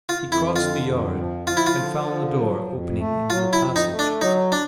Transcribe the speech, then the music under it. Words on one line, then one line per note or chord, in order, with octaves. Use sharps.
He crossed the yard and found the door opening into the passage.
F4
F2
E4
D3 F4
F2
F3
F3 F4
E4
F4
D3
F3
F#3
F2
A3
F#3 F4
E4
F2
D#4
A3
D4
F#3 D#4
D4